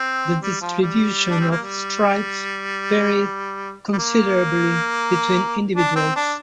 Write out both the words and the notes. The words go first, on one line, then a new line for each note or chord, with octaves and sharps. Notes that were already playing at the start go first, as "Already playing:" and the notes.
The distribution of stripes varied considerably between individuals.
Already playing: C4
G3
F3
G3
D4
C4
A#3
G3
G3
A#3
D4
C4
D4